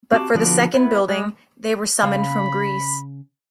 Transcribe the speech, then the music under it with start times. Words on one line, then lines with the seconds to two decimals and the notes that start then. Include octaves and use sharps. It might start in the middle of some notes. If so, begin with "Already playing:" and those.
But for the second building they were summoned from Greece.
0.12 C4 F#4 G4 A5 D6
0.34 D3 F3 B3 F#4 D5
0.74 B3 E4 B4
1.08 G#3
2.03 C#3 F5 B5